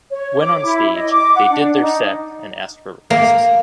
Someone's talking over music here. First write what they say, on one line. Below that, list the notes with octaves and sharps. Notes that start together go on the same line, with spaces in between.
When on stage, they did their set and asked for requests.
C#5
D6
E4
D#5
D6
F#5
D4
D#4
A#3